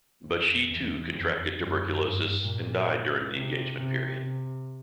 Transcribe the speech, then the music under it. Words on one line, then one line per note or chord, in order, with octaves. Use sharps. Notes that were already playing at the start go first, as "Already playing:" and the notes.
But she, too, contracted tuberculosis, and died during the engagement period.
F2
E2
F2
F#2
G2
A#2
C3
C3
C3